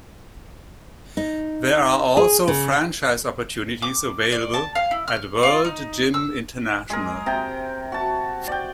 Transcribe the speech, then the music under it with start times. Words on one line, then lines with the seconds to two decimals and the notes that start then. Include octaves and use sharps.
There are also franchise opportunities available at World Gym International.
1.17 D#4
2.17 G#4
2.48 C#3
3.82 D6
4.32 D5
4.54 A5
4.75 F5
4.91 E4
5.08 F6
5.43 F4
5.65 D#4
6.14 E6
6.90 G#3 G#4 A#4
7.26 C3 G5 A#5
7.92 F#4 A5
8.48 D5 G5